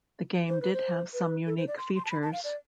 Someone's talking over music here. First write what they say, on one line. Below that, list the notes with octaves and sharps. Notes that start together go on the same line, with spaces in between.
The game did have some unique features.
C5
B4
C5
B4
A4
C5
D5
C6
C6
A5
B5
A5
F5
D5